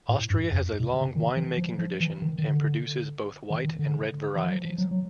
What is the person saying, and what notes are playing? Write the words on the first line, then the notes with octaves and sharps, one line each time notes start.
Austria has a long winemaking tradition and produces both white and red varieties.
A2
G2
F2
B2
C#3
D#3
E3
F3
F3
E3
D#3
D#3
D3
D#3
D#3
D3
E3
F3
F#3
F3
F#3
F#3